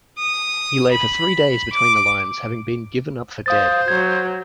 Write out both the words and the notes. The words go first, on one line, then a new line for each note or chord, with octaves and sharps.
He lay for three days between the lines having been given up for dead.
D#6
B5
D6
C5 F5 D#6 A6
F#3 G#6